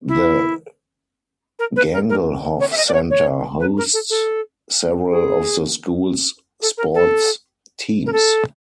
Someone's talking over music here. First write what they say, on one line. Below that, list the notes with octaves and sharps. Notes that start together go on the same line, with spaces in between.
The Gangelhoff Center hosts several of the school's sports teams.
E4
A#4
B4
A#4
A#4
C#5
E5
D#5
D5
C#5
C#5
B4
A#4
A4
A4
G#4
A4
A#4
A4
A#4
A4